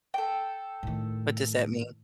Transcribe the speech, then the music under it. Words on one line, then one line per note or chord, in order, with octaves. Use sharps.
What does that mean?
A4 G5
A2 D#3